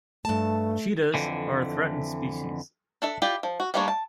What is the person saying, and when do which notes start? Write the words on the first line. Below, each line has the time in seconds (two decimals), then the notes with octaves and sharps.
Cheetahs are a threatened species.
0.25 G2 A3 A5
1.14 F2 D3 E3
3.02 D4 A4 E5
3.22 E4 F4 G4 D5
3.43 F3
3.60 F#4
3.74 G3 A3 A#3 D4 C#5
3.88 A5